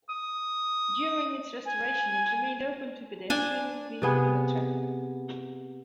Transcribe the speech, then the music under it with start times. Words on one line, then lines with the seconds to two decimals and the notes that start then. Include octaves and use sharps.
During its restoration it remained open to pedestrian and vehicular traffic.
0.10 D#6
1.66 G#5
3.30 D4 G#5
4.02 C3 B3 G#4